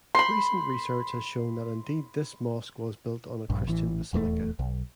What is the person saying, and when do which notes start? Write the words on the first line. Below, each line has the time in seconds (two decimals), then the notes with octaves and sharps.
Recent research has shown that indeed this mosque was built on a Christian basilica.
0.15 B5 C6
3.50 A#1 G2
3.67 A1 E3
4.13 D#1 E2 D#3 A3
4.59 B1